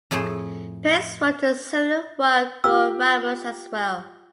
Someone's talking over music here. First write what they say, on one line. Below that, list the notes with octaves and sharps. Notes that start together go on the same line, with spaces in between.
Pace wrote a similar work for Ramus as well.
F2 A2 A3 G#4 C6
F4 G4 E6